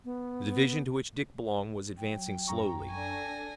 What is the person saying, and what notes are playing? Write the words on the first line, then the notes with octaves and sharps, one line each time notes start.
The division to which Dick belonged was advancing slowly.
B3
F#3 G5
F#2 A#5 C#6
D4 A4 G#5 A#6